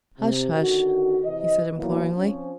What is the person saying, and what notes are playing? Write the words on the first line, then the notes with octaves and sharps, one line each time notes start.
"Hush--hush!" he said imploringly.
C3
D3 D#3 F#4
C3 E3 D#5
A#2 E3 F#3 A#3 B3
F3 C4 C#4